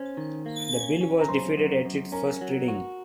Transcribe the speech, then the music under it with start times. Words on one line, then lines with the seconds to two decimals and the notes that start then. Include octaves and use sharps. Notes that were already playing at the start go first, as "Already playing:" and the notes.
The bill was defeated at its first reading.
Already playing: C#4 C5
0.17 D#3
0.46 A#3
0.74 C#4
1.01 C#4
1.21 A#5
1.29 F#2 C5 C6
1.57 F#2
1.85 F#2
2.12 C#4 A#4 A#5
2.41 F#3
2.68 F#4